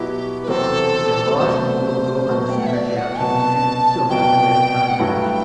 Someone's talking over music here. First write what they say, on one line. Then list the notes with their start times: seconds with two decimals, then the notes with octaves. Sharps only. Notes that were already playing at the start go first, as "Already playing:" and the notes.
The embossed logo on the center caps was painted silver to add contrast.
Already playing: B2 F#3 B3 E4 G4
0.43 B4
0.48 E2 C3 F#3 C4 A4
1.38 C2 B2 F#3 A3 C5
2.28 B2 F#3 A3
2.50 G5
2.58 F#5
2.66 E5
2.74 D5
2.96 F#5
3.19 C2 B2 F#3 A5
4.09 C2 B2 F#3 G5
4.89 F#5
4.99 G2 F#3 A3 E4 G5